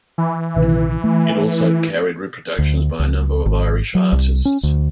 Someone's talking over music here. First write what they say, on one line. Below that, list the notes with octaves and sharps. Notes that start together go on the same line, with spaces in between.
It also carried reproductions by a number of Irish artists.
E3
A#1 C3 D#3
A3
D2
C#2
G#1
F#3
C2
C#4
D2